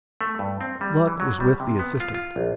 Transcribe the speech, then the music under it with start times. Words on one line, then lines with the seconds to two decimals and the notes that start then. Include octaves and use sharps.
Luck was with the assistant.
0.21 A3
0.39 G2
0.61 C4
0.81 G3
1.07 E3
1.20 F#3
1.40 G3
1.60 C3
1.79 B3
2.00 F4
2.14 F4
2.36 A#1